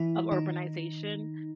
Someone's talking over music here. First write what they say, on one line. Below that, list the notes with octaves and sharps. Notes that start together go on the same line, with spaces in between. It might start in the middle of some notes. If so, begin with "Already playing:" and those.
of urbanization,
Already playing: E3 E4
D#3 D#4